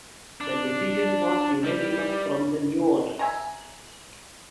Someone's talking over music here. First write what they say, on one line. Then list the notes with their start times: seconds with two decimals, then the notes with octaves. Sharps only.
The decision was unanimous from the new owners.
0.40 D4
1.64 G3
3.19 E5 G#5 A#5